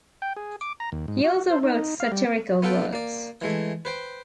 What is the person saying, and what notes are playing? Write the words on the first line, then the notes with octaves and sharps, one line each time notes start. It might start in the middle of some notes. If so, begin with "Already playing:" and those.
He also wrote satirical works.
G5
G#4
D6
A#5
D#2
G#2
F#4
C5
D#4
F5
G3
B3 F4 A4 B4 G5
A#3 D5
E3 G#3 A3
B4 C5 G5